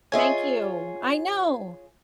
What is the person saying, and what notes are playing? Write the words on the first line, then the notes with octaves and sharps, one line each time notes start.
Thank you, I know,
F4 G#4 C#5 D#5 E5 G#5